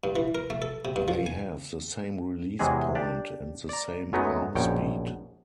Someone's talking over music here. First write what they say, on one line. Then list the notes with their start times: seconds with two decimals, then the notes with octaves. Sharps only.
They have the same release point and the same arm speed.
0.04 G2
0.16 E3
0.35 A#4
0.50 A3
0.62 A4
0.85 C3
0.96 G2
1.08 F3
1.26 G#5
2.59 E2 C3 E3 F#3 G#3 G#4
2.95 D4 G4 D5
3.69 D5 A#5
4.13 F#2 F#3 G#3 A3 B3 D#4
4.55 A#1 F#2 B2 C#5 G5